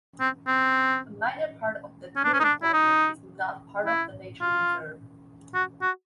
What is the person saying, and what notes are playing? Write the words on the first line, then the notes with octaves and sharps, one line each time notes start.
A minor part of the deer enclosure is not part of the nature reserve.
C4
C4
C#4
D4
C#4
D#4
D4
E4
D#4
E4
F4
F#4
F#4